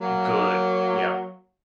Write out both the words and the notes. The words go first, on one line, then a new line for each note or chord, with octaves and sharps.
Good. Yep.
F#3 A#3